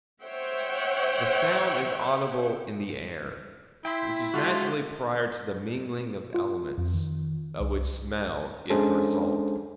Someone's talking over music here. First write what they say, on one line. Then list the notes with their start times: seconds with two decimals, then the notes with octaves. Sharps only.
But sound is audible in the air, which is naturally prior to the mingling of elements, of which smell is the result.
0.22 C5 C#5 E5 F#5 G5
3.85 E4 E5 G5 C6
4.34 D3 G#3 F4 F#4
6.35 F4
6.78 F2
6.94 D#3
7.60 C2
8.70 G#3 C#4 D4 G#4 A4 C5